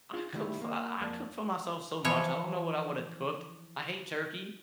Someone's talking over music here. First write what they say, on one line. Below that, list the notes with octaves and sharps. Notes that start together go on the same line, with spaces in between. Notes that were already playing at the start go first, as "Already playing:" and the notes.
I cook for I I cook for myself so much, I don't know what I woulda cooked. I hate turkey,
F4 G#4
D3 D#3 G3 A3 E4
A#3
F2 A#3 D5 A5
E3 F3 C#5